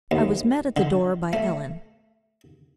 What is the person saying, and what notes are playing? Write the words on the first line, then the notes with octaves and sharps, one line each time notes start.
I was met at the door by Ellen.
D#2
D3
A3